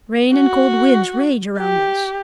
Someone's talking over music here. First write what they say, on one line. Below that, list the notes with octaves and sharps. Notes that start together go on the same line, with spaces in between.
Rain and cold winds rage around us.
F#4
G4